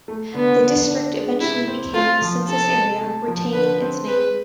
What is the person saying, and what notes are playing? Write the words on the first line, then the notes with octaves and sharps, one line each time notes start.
The district eventually became the census area, retaining its name.
A3
D3 B3
D3
D4
G#3
C3 E4
C4
A3 F4
F3
C3 A4
C3
A3
F3
D3 B4
C4
G#3 B4